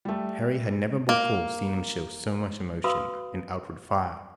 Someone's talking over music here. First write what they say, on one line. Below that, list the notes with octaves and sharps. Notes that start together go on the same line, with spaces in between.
Harry had never before seen him show so much emotion and outward fire.
G3 A3
A#3
F#4 B4 F5 B5 D#6 E6